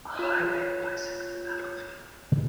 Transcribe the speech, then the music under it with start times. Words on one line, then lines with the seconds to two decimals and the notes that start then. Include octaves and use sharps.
A highway bisects the battlefield.
0.19 F4 C#5